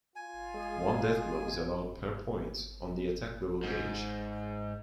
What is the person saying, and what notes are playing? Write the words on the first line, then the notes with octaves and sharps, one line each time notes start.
One deathblow is allowed per point on the Attack Level gauge.
F4 G#5
G#3 G#4
G#2